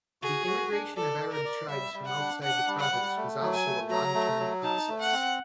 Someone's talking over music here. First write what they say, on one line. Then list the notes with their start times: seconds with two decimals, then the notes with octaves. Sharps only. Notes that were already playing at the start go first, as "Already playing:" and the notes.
The immigration of Arab tribes from outside the province was also a long-term process.
0.22 F#4 G#4
0.47 F#4
0.71 D4
0.96 A4 D5
1.21 D5
1.32 A#4
1.45 D5
1.69 G3 E5
1.94 G3
2.06 F#5
2.18 D4
2.43 D4 F#5
2.68 G3
2.80 F#5
2.92 G3
3.17 A3
3.41 F#3
3.53 G#5
3.66 A3
3.90 F#3 A#5
4.15 A3
4.39 F#3
4.63 D#4 A5
4.88 A3
5.00 F#5
5.12 C4